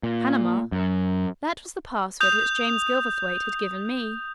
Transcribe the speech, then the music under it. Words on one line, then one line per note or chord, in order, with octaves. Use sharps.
Panama!--that was the password which James Gilverthwaite had given me.
A#2
F#2
D#6 G6 F7